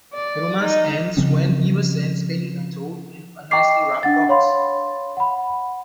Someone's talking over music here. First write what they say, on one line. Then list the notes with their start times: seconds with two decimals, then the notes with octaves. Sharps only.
The romance ends when Beaver sends Penny a toad in a nicely wrapped box.
0.14 D5
0.63 D#4
1.17 C#3 F3 C4 C#4
3.51 D#5 G5 A#5 C#6 D6 C7
4.03 D4 F#5 A6
4.29 C#5 F5 B5 C6
5.17 F#5 B5